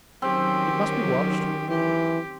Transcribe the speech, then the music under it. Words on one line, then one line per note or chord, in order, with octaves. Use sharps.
'It must be watched.
D#3 F#3 C4 C#4 G4
E3 G4